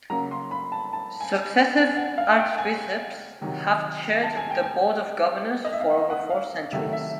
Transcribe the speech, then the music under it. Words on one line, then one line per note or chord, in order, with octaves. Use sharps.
Successive Archbishops have chaired the Board of Governors for over four centuries.
C#3 F#3 A#3 A#5
C6
B5
A5
A5
G#5
G#5
F#5
F5
G5
G#5
C3 D#3 F#3
A5
G#5
G5
G#5
D#5
E5
F5
F#5
F#5
F5
C3 D#3 F#3 A3 E5
E5